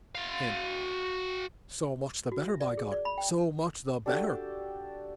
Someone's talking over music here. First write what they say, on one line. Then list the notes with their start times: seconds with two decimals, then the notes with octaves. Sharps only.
HIM: So much the better, by God, so much the better.
0.15 F#4 F5
2.32 F#4
2.48 E5
2.60 D5
2.77 G#4
2.92 D5
3.05 B5
3.18 G5
4.06 D4 F#4 G4 A4